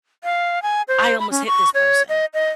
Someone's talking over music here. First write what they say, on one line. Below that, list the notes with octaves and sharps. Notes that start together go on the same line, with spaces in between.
"I almost hit this person."
F5
G#5
C5
B5
C#4
C#6
C#5
D#5
D#5